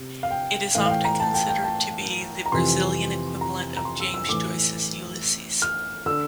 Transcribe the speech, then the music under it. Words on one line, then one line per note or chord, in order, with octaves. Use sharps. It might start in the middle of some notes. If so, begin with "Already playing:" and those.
It is often considered to be the Brazilian equivalent of James Joyce's "Ulysses".
Already playing: C3
F5
G5
A2 E3 F5
F5
G5
A#5
A5
G5
G5
A5
A#5
F2 C3 E3 C6
A#5
A#5
C6
E6
E6
A2 E3 D6
F6
D3 E6